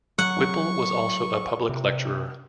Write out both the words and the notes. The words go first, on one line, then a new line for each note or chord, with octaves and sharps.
Whipple was also a public lecturer.
F#3 F#5 C#6
C3